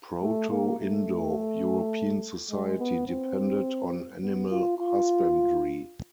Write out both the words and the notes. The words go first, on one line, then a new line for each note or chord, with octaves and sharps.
Proto-Indo-European society depended on animal husbandry.
A3
A#3
A3
G#3
B3
C4
B3
F4
F4